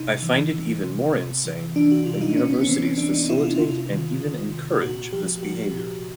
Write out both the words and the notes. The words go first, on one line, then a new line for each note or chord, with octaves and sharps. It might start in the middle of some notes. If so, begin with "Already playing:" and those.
I find it even more insane that universities facilitate and even encourage this behaviour.
Already playing: C3 D#4
E3
E3
C3
C3
E3
E3 D4
F#4
C3 F4
D#4
C3 C#4
B3
C#4
E3 C4
C#4
E3 D4
D#4
C3 E4
F4
C3 F4
D#3
D#3
C3
A#2 F#4
F3 G4
F3 F#4
A#2